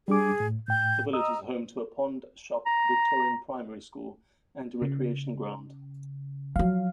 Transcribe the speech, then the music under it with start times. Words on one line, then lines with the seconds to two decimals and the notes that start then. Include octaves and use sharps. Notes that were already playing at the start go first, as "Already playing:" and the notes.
The village is home to a pond, shop, Victorian primary school, and recreation ground.
0.08 G3 D4 G#4 D6
0.40 A2
0.68 A2 G5 G6
1.13 D#5 A#5 D#6 E6
2.66 A#5
4.82 C#3
6.56 F3 F#3 F5